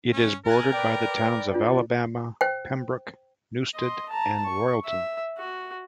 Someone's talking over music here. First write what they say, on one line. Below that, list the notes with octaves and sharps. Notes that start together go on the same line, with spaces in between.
It is bordered by the Towns of Alabama, Pembroke, Newstead, and Royalton.
C#4
A#4 G#5 F#6 A6
B4 D5 G5
D4 F4
C5 G5
D#5 C6
A5 A#5
C#6
E5
F#4